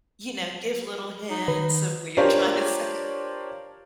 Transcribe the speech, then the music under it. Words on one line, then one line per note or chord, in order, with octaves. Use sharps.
you know, give little hints of what you're trying to say?
D#4
D#3 B4
D4 F4 G4 A#4 C5 C#5